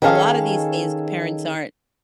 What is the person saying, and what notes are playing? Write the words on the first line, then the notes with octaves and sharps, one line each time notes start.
a lotta these things, parents aren't
D#3 C#4 G#4 A4 E5 F5